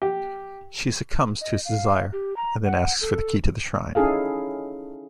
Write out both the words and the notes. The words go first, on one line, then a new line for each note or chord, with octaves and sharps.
She succumbs to his desire, and then asks for the key to the shrine.
G4
D#5
F5
G4
A#5
F#5
A4
C#4 D#4 E4 G#4 A4 F5